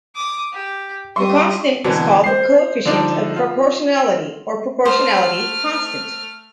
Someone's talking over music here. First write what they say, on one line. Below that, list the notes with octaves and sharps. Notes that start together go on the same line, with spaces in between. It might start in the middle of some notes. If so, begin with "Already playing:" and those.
The constant is called the coefficient of proportionality or proportionality constant.
D6 D#6
G4
G3 D#5 E5 C6 C#6
B2 D3 E3 F#3 B3
C5 C7
D3 F3 D4 D#4
F4
A3 C5 F6